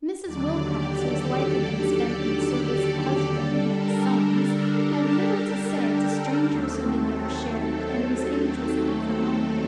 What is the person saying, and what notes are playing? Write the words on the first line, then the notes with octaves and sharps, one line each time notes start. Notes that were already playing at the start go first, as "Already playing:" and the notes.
Mrs. Wilcox, whose life had been spent in the service of husband and sons, had little to say to strangers who had never shared it, and whose age was half her own.
D#2 D3 F#3 D5
G4
A4
G4
A4
G4
D3 G3 D4 A4
A#4
A4
G4
A4
D#2 D#3 F#3 A3 C4 A4
A4